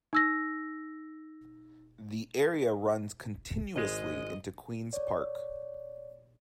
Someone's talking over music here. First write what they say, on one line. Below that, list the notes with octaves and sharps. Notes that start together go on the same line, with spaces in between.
The area runs continuously into Queens Park.
D#4 E6 A#6
G#1 G#3 D#5
C#5 D5